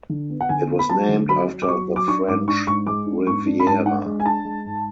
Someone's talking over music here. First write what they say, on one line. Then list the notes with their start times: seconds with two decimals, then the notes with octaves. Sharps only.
It was named after the French Riviera.
0.10 D3
0.30 B3
0.41 F#5
0.49 D3 G#5
0.70 B3
0.79 B5
0.89 F#3 A5
1.09 D3
1.29 F#3 B5
1.49 F#3
1.62 D6
1.68 F#3 C#6
1.88 F#3
1.96 D6
2.08 D4 C#6
2.28 G#2 D6
2.48 D4 C#6
2.67 G#2 C#6
2.87 G#3 D6
3.06 D4
3.27 G#2 C#6
3.46 D4
3.60 B5
3.66 G#2 A5
3.86 D4 F#5
4.06 G#3
4.20 G#5
4.25 D4 A5
4.45 G#3
4.66 G#2